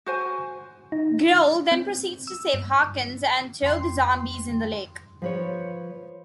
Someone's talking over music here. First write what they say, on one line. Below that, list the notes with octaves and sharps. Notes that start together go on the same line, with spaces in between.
Grohl then proceeds to save Hawkins and throw the zombies in the lake.
F#4 C5 G#5
D#4
C4
E6
G2
F2 G5 C6
F3 B4 C#5